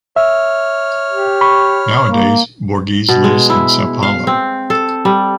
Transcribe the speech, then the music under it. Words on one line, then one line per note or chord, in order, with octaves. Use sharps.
Nowadays, Borges lives in São Paulo.
C#5 E5 F6
G4
B5 C#6
A#3
B2
G#3
E4
F5
C4
A4
G3